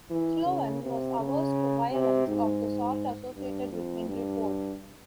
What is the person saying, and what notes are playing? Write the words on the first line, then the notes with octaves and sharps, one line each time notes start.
Sloan was averse to violence of the sort associated with Henry Ford.
E3
C#3
C3
C#3
C3
G#2
G2
F2
G2